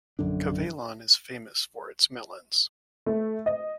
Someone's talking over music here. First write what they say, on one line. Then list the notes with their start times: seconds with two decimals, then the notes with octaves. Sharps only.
Cavaillon is famous for its melons.
0.19 A#1 F#2 D3 D4
3.06 A3
3.46 D#5